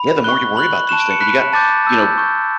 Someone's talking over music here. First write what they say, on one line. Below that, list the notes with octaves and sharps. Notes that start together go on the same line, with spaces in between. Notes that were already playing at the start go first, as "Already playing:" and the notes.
Yeah, the more you worry about these things, and you got, you know,
Already playing: B5
C#6 F#6 G7
B5 F#6 F#7
A5 C#6 F#6 E7
D7
C#7
B5 F#6 B6
A5 D6 G6 A6
A5 E6 G6
C#6 G6